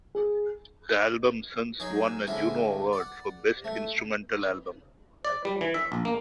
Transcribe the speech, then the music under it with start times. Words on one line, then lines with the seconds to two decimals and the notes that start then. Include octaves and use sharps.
The album since won a Juno Award for best instrumental album.
0.15 G#4
1.80 F#3 D#4 G#4 C#5
2.27 D3 G#3 C4 C#4 E4
2.93 D5 F#5
3.64 A3
5.25 D5
5.45 G3
5.61 E3
5.74 E5
5.92 A#1
6.05 A#3